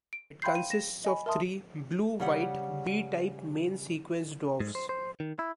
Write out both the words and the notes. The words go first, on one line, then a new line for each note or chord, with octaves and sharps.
It consists of three blue-white B-type main sequence dwarfs.
D7
F5 G5 B5 C6 G6 C7
D#7
A#6 E7
D#5 G#5 B5
A#4 E5 A5 C6 D#6
C#3 G3 F#5
G#2
C5
C5
D#3
E4